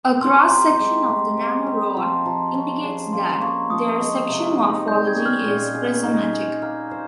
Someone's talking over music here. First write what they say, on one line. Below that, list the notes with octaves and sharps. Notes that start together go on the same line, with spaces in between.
A cross section of the nanorods indicates that their section morphology is prismatic.
C4 C6
C6
G4 A#5
G#3
G#3
C4
G4
F3 C6
F3 A#5
C6
C#4 A#5
G#4 A#5
A#3 C6
A#3 C#6
F3 D#6
G#3
C3
D#4
G3 G6
G#6
C#4
F6
A#2
G#4
D#4
G#4
A#3 F6
C5